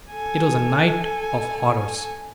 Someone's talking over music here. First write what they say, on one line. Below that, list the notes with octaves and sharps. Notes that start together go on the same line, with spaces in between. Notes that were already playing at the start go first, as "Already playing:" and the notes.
It was a night of horrors.
A4 G#5